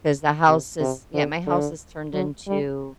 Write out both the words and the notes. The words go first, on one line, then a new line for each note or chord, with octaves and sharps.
'cause the house is yeah. My house has turned into
C3
C3
D3
D3
F#3
G3